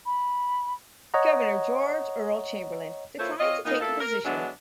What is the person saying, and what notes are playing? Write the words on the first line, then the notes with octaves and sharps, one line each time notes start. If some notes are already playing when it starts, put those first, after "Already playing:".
Governor George Earle Chamberlain declined to take a position.
B5
C#5 D#5 F#5 A#5
A#3 E4 F4 A4 C5 C#5
C4 F4 C#5 D#5
A#2 D#3 A#3 B3 D#4
A3 A#3 E4 F4 A4
A#4
D3 E3 F#3 G#3 B3 D4